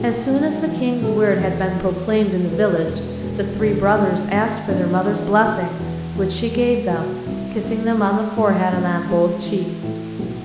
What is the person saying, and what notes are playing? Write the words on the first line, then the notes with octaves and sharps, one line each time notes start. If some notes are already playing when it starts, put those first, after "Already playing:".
As soon as the King's word had been proclaimed in the village, the three brothers asked for their mother's blessing, which she gave them, kissing them on the forehead and on both cheeks.
Already playing: B1 A2 G#4
G#3
E3
C3 A4
E2
E2
G#3
D2 B4
E1
E1
D3
G#2 G#4
G#1
G#1 D4
E3
B2
E2
E2
G#3
B2
C2
C2
G#3
G#2
A1
G#3
E3
A2
B1